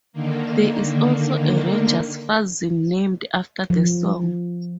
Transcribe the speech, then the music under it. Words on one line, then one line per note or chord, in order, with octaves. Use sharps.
There is also a Rangers fanzine named after the song.
D3 D#3 A#3
F3